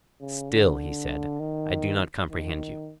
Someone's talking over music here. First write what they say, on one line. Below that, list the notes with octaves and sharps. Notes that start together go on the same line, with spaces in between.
Still, he said, I do not comprehend you.
C#3
D3
D#3
D#3